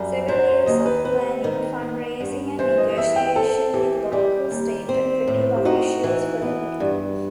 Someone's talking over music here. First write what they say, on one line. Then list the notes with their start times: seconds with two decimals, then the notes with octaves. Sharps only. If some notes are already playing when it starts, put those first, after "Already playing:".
Several years of planning, fundraising and negotiation with local, state and federal officials followed.
Already playing: F#2 G3
0.28 F#3 C5
0.47 C5
0.66 D#2 D#5
0.86 B4
1.05 C4 B4
1.44 D#3
1.81 B3
2.20 G2
2.59 E3 C5
2.78 D#5
2.90 D#5
2.96 E2 E5
3.16 G5
3.35 C4 A4
3.74 E3 G4
4.12 G3 G4
4.51 D#2
4.89 C4
5.27 A2
5.56 G4
5.65 D#4 F#4
6.04 E3
6.42 B3
6.80 G2